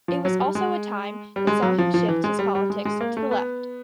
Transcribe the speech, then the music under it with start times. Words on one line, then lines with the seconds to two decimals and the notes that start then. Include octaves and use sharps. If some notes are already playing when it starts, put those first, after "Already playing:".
It was also a time that saw him shift his politics to the left.
0.08 F3
0.25 F#3
0.39 G3
0.55 G#3
1.36 G3
1.47 G#3
1.62 F#3
1.78 F3
1.94 F3
2.09 E3
2.24 G#3
2.39 G3
2.55 G3
2.70 G#3
2.85 G#3
3.01 A#3
3.17 A3
3.31 B3